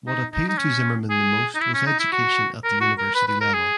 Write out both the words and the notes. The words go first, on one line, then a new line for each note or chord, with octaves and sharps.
What appealed to Zimmerman the most was education at the university level.
D#4
D#4
D#4
C#4
G#4
D#4
E4
C#4
D#4
E4
F#4
A#4
F#4
A#4
B4
B4
A#4
G#4